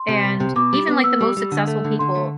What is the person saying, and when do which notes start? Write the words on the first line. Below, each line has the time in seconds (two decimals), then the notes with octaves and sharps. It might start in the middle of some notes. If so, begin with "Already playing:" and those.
and even like the most successful people,
Already playing: C6
0.08 C3
0.24 C2
0.40 C3
0.56 B2 D6
0.73 G3
0.88 B3
1.04 B3 E6
1.21 G3
1.37 G3
1.52 D3
1.67 A3
1.84 D3
1.99 D3 C6
2.15 A3